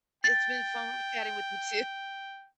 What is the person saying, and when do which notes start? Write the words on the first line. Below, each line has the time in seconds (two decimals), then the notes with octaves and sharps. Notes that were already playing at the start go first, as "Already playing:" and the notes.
It's been fun chatting with you too.
0.24 G5 A6